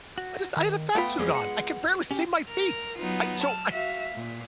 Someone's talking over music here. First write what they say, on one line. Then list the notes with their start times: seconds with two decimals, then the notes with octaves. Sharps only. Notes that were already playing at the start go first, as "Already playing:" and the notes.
I just I had a fat suit on, I could barely see my feet. I so I
0.18 F#4
0.57 D#3
0.95 A3 B3 F4 G5 B5
1.19 F2 G3 G#3 C#4
1.35 F#5
2.11 C#4 G4
2.49 A#4
2.99 F#3 B3 D#4 F4
3.40 A5 E6 F6
3.70 F#4 E5 F5
4.15 A#2